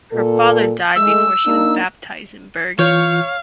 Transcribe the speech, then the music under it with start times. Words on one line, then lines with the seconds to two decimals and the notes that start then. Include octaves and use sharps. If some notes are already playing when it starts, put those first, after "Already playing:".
Her father died before she was baptized in Bergen.
0.12 A#2 A4
0.96 G#3 A3 E6
1.45 A#3 D4 D#4
2.79 E3 F4 C#5 F5 G6